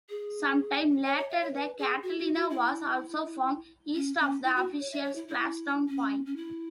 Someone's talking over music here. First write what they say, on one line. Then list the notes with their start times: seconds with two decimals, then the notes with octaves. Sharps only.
Some time later the Catalina was also found, east of the official splashdown point.
0.09 G#4
1.06 C#5
1.18 C#5
1.30 E5
1.42 C#5
1.54 B4
1.78 G#4
2.03 F#4
2.19 F#4
2.34 F#4
2.50 E4
3.95 C#4
4.19 C#4
4.44 E4
4.56 F#4
4.80 C#5
4.92 E5
5.04 C#5
5.15 E4
5.28 E4
5.88 C#4
6.26 C#4
6.36 E4